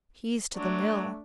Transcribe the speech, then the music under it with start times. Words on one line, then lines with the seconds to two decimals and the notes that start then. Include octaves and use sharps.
"He's to the mill."
0.57 F#3 A3 D4